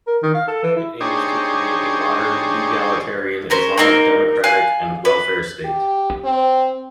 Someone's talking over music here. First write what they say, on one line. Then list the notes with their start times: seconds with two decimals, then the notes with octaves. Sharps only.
It aims to create a modern, egalitarian, Islamic democratic and Welfare state.
0.07 A#4
0.23 D#3
0.34 F5
0.48 A4
0.63 E3
0.76 E4
1.01 D4 D#4 G4 G#4 C5 C#5
3.50 C#4 A#4 C5
3.78 A#3 C4 D#4 A#4
4.44 F5 G#5 F#6
5.05 B4
5.65 G4
6.24 C4